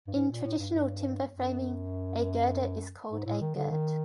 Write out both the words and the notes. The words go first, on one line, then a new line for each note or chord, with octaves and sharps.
In traditional timber framing a girder is called a girt.
G2
G#2
A#2
A2
G2
G2
F#2
G#2
A2
D#3
D3
D#3